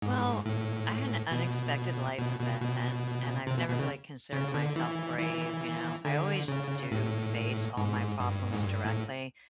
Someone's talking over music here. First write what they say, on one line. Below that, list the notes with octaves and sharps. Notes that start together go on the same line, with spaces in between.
Well, I had an unexpected life event, and I've never really considered myself brave, you know, I always do face all my problems directly,
G#2
A2
B2
B2
B2
B2
C3
B2
B2
C#3
C#3
D3
E3
E3
D3
C#3
A2
G#2
G2
G#2
G2
A2